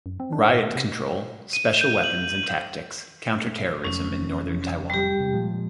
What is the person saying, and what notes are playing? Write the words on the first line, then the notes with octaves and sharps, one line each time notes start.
Riot control, Special Weapons and Tactics, counter-terrorism in northern Taiwan.
F#2
C4
D4
A2
A3
C3
D#7
G6
F#7
F1 F2 F#3 C#4
G3 G4
E1 C3
A#2 F3 G#3